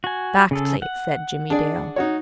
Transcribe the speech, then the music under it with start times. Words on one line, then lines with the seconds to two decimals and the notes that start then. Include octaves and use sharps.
"Exactly," said Jimmie Dale.
0.04 F#4 G#5
0.51 C#3 G#4 A4
0.82 F#5
1.50 D4 G#4 D5
1.96 D#4 F#4 C#5